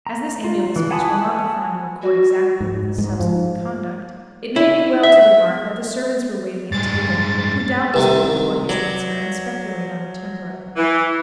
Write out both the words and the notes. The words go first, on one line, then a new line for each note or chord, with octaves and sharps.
As this amiable speech will not be found to accord exactly with his subsequent conduct, it may be well to remark that the servants were waiting at table, who doubtless would report his answer, and speculate on the temper of it.
A#5
F4
E3
F#5 G#5 A5 B5 D#6
F#4
G#2
G#2
F3
E4
E5
G2 G#3 A6
C2 C3 D#3 B4
F#3 D5
E3